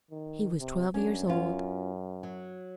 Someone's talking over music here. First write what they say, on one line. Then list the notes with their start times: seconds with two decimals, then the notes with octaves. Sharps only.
He was twelve years old.
0.11 D#3
0.60 C3
0.94 F#2 C#4 D4
1.27 B3 C#4 F4
2.23 F#3